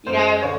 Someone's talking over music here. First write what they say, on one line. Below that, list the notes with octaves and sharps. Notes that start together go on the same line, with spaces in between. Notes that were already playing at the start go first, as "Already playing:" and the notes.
You know?
F#2 C5
D3 C#5